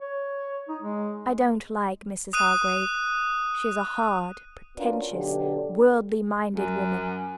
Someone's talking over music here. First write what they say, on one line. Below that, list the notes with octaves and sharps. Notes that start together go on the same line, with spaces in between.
I don't like Mrs. Hargrave; she is a hard, pretentious, worldly-minded woman.
C#5
D#4
G#3
D#6 F#6 D#7
B3 C#4 D4 F4 F#4 A#4
B1 D3 G4
F#2